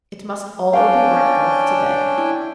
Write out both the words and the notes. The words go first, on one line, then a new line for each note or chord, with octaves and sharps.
It must all be worked off to-day.
C#4 D4 F5 G5
E4